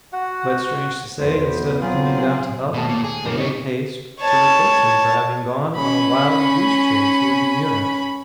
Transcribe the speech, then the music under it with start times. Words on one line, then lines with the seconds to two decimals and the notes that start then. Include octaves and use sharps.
But strange to say, instead of coming down to help, they made haste to reproach him for having gone on a "wild-goose chase" with Muir.
0.13 F#4 F#5
1.19 B1 E2 B3 C5
1.81 F#3 C4 F4 G#4
2.74 D#2 B2 A3 A5
2.88 A#2
3.04 G#4
3.26 G1 F#2 A#3
3.38 D#4 C#5
4.20 C#5 A5
5.76 C#4 B5